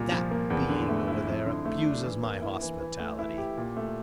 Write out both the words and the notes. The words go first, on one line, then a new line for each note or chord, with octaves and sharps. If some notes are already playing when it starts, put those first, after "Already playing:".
That being over there abuses my hospitality.
Already playing: C2 A#2
F3
A#3
E2
D3
A3
E4
F2
D3
A3
D4
E3
A#3
E4
E3
E3
A3
E4
G4
A#2
A3